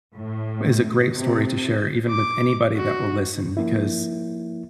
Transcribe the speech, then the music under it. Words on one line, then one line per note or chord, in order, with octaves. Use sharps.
is a great story to share even with anybody that will listen because
A2
C3
D6
F#4
F3 A#3 E4